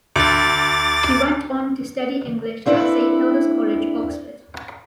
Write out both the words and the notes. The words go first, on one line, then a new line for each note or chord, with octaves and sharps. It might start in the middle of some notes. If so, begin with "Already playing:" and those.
She went on to study English at Saint Hilda's College, Oxford.
D2 D6 A6
A#3 C4 D4 E4 A4 B4